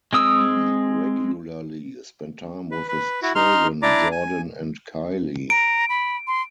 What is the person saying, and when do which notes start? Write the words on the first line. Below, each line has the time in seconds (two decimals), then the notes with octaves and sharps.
He regularly spent time with his children, Jordan and Kylie.
0.13 G#3 C4 D#6 E6
2.71 B4
2.88 B4
3.22 E4 F#4
3.35 D#4 C6 F6
3.82 D4 E4 D5 A#5 D6
4.11 G#5
5.50 A#5 D7
5.89 B5
6.27 C6